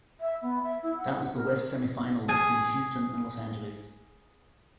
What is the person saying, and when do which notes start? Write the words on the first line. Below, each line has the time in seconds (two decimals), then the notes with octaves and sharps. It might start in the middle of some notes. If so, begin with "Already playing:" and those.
That was the West semifinal between Houston and Los Angeles.
0.20 E5
0.42 B3
0.63 E5
0.83 E4
0.97 F#5
1.35 A#4
2.28 G#4 G#5